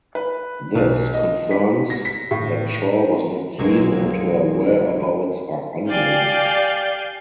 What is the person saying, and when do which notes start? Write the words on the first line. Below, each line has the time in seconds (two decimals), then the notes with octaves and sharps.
This confirms that Shaw was not seen and her whereabouts are unknown.
0.15 B4
0.75 B1
1.14 D#5
1.51 B6
1.90 A#6
2.05 B6
2.31 A2
3.59 B1 F#2 B2 E3 G#3 A#3
5.89 G4 D5 F5 G#5 G6 C7